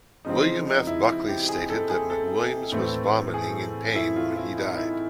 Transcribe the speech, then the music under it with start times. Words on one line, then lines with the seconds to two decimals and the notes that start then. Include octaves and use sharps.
William F. Buckley stated that McWilliams was vomiting and in pain when he died.
0.25 C#3 F3 G#3 C4 D#4
0.67 D#4
0.87 E4
1.28 G4
1.49 G#4
1.70 A4
1.90 G#4
2.10 A4
2.72 A2 E3 A3 C4
3.34 G#4
3.96 E4
4.16 F4
4.37 E4
4.57 D#4
4.78 E4